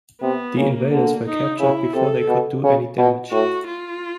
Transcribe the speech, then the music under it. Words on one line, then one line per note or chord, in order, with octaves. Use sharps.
The invaders were captured before they could do any damage.
C3 B3
C#3 A#3
D3
D#4
C#3 E4
C3 A4
B2
C#3
B2
A2 F#4
F4